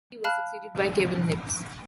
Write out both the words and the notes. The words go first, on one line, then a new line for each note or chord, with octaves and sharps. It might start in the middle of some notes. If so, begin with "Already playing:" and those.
He was succeeded by Kevin Knibbs.
F5 A5 B5 F6 F#6